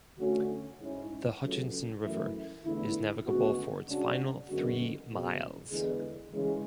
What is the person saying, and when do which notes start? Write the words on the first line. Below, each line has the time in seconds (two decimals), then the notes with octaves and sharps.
The Hutchinson river is navigable for its final three miles.
0.19 D3 A3 C#4 F#4
0.80 G#2 G#3 C#4 E4
1.42 C#2 C#3 F#3 A3
2.03 F#2 E3 A3 E4
2.64 E2 D3 A3 E4
3.26 D2 C#3 G#3 B3 F#4
3.87 C#3 G#3 D4 F#4
4.48 F#2 D3 G#3 B3 F#4
5.10 C#2 B2 G#3
5.71 E2 D3 G#3
6.32 C#3 E3 G#3